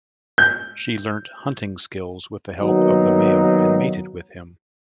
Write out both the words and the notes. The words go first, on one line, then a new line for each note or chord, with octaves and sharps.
She learnt hunting skills with the help of the male and mated with him.
G6
D#3 F#3 A#3 B3 D#4